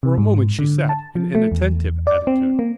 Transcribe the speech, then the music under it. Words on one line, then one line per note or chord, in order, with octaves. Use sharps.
For a moment she sat in an attentive attitude.
C3
G#2
D3
A5
F3
A3
E2
D5
C4
A#3